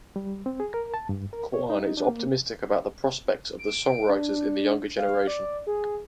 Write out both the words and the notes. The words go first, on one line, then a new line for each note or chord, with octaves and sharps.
Kuan is optimistic about the prospects of the songwriters in the younger generation.
G3
C4
G#4
A#4
A5
G2
A#4
C#5
D#4
D4
A#3
D7
D4
D4
F5
D5
G#4